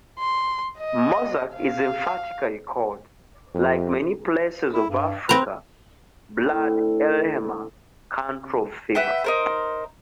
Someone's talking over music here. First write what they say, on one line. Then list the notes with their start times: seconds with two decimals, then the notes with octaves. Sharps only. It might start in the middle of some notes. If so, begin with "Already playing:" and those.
Mourzuk is emphatically called, like many places of Africa, "Blad Elhemah", country of fever.
0.19 C6
0.78 D#5
1.56 F5
3.54 F2
4.74 E4
4.89 G2
5.29 C4 B4 A#5
6.43 A2 D3 C4
8.95 B4 E5 F#5 G5
9.24 D#4 A#4 C5